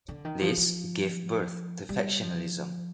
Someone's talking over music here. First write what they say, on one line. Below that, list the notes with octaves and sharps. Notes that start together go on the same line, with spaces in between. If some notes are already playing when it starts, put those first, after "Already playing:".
This gave birth to factionalism.
D3
D#3
F3
F3
G3
F3